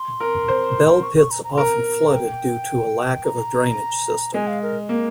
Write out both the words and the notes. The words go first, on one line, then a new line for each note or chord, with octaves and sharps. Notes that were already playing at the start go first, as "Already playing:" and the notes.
Bell pits often flooded due to a lack of a drainage system.
Already playing: C6
A#4
C5
C#6
C#6
A#5
A#5
C6
A#4 A#5
G5
A#5
G#3 G#5
F5
A#4
A#3